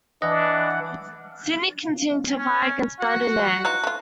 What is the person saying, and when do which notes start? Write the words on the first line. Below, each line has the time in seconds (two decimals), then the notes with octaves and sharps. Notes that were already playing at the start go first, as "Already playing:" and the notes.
"Sydney" continued to fire against "Bande Nere".
0.22 E3 D4 D#5 F#5
2.38 C#4
3.00 F#4 F#5
3.65 E3 D#4 F4 F#6
3.84 A3 F4